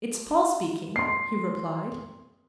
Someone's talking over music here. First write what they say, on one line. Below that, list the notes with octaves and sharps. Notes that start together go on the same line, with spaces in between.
"It's Paul speaking," he replied.
C6 C7